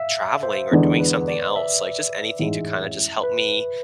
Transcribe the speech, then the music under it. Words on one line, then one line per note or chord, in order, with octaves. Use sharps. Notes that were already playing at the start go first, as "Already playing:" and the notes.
traveling or doing something else. Like, just anything to kinda just help me
Already playing: E5 F5
C5
E2 D3 G#3 B3 D4
B4
D5
E5
A1 G#2 G#3
B4